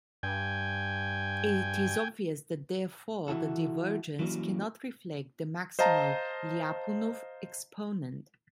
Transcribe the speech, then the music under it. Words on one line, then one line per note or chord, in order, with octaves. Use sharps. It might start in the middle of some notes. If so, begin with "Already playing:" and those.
It is obvious that therefore the divergence cannot reflect the maximal Lyapunov exponent.
G2 G5 G#5
E3 E4 F#4 A4
E3 F#3 G3 A#3 C#4
C5 D#5 F5 A5 A#5